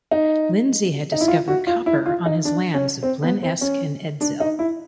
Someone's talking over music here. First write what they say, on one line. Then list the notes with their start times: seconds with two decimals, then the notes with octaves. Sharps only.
Lindsay had discovered copper on his lands of Glen Esk and Edzell.
0.11 D#4
1.12 D#4
1.21 E4
1.28 F4
1.48 F#4
1.67 F4
1.86 E4
2.06 F4
2.26 D#4
2.45 D4
2.74 C#4
3.03 C4
3.23 B3
3.43 C4
3.61 C#4
4.21 D4
4.40 D#4
4.59 E4